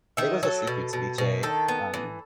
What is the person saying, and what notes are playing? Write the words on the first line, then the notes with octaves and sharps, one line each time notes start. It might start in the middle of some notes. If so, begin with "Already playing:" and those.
it was a seafood ceviche. Um,
D#3 E5
F#3 A4
B2
B2
B2
D#3 A4
B3
E3